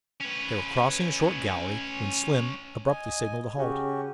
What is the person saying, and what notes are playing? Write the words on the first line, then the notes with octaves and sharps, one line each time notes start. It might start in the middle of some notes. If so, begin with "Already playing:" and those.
They were crossing a short gallery when Slim abruptly signaled a halt.
C#4 B4
D#5 G#5
C#3 C#4 F#4 G4